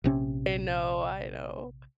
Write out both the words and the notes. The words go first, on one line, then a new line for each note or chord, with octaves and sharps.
I know, I know.
A#1 C3 C#4